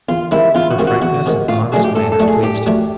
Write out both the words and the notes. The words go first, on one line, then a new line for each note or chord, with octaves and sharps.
Her frankness and honest manner pleased him.
E2 F4
C3 D#3 G#3 E4
E2 F4
F#4
C3 D#3 G#3
F#4
E2 F#4
C3 D#3 G#3
A2 F4
F#3 A3 D4 F#4 G#4
G4
A2 A4
A4
F#3 A3 D4 F#4
G#4
A2 G4
F#3 A3 D4 F#4